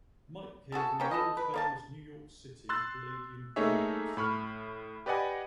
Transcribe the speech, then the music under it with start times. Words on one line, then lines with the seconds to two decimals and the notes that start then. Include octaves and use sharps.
Mike came from the world-famous New York City Palladium Ballroom scene.
0.72 F#4 G#4 A4
1.00 A#3 C#4 G5
1.11 A4 B4 D#5
1.37 B4
1.54 A#3 D5 A5
2.69 C6 E6 F#6 A6
3.56 A3 A#3 D#4 G#4 C#5 E5
4.17 A2 B5 C#6 F6
5.06 G4 B4 D5 D#5 F#5 G#5